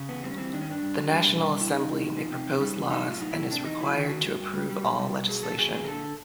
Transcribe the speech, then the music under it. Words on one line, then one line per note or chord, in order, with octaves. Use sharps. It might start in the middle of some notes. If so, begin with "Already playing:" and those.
The National Assembly may propose laws and is required to approve all legislation.
Already playing: C#3
E2 B3
G3 C4
C#4
E3 C4
D#3 D4
C#4
G2 D4
G2
F#3
G3
B2
G3
B2 E4
C#3 D#4
E2
E2
F3
C3
F2
G3
E3
F#3 D#4
A2 F4
F#3 D#4
A2 E4
C3 D4
E2 D#4
F#3 E4
D#3 F4
D#3 F#4
G2
G2
G3
G3
B2
G3
B2
F#3 G#4
A#2 A4
F#3 G#4
A#2 G#4
A#4
D3 A4